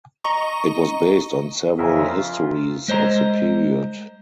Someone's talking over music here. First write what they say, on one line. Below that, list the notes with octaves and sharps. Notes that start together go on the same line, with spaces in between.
It was based on several histories of the period.
D#5 A#5 C#6
F2 C#3 F3 G#4 A#4 E5
F4
G#3 C5 D#5 A#5